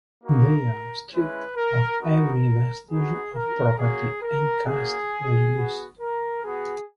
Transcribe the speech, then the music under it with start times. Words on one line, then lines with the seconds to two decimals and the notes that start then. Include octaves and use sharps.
They are stripped of every vestige of property and caste prejudice.
0.22 A#3 D#4 F#4 A#4
1.11 G#3 C#4 E4 B4
1.56 A#4
1.99 B3 D#4 F#4 A#4
2.88 B3 D#4 F#4 G#4
3.34 A#4
3.77 A#3 C#4 F#4 G#4
4.21 A#4
4.66 A#3 C#4 F#4 G#4
5.54 B3 F#4
5.99 A#4
6.43 B3 F#4 G#4